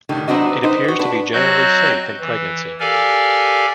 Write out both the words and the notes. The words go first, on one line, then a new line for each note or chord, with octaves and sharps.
It appears to be generally safe in pregnancy.
A2 D3 D#3 G3
F#3 B3 C4 D4 F#4 D#5
D#4 B4 C5
F#4 G4
B3 D4 B4
F#3 C4 F#4 D#5 F#6 G6
E3
G4 A4 A#4 D5 F5 G#5